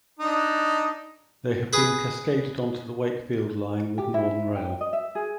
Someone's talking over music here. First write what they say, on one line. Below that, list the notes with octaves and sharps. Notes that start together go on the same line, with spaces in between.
They have been cascaded onto the Wakefield Line with Northern Rail.
D4 D#4
G#4 B4
G4
E4
G5
D#5
E5
G#4